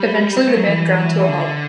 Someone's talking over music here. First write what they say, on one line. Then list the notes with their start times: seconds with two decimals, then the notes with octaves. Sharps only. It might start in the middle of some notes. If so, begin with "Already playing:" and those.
Eventually the band ground to a halt.
Already playing: G3
0.37 C4
0.47 A3
0.57 F#3
0.68 E3
1.29 D3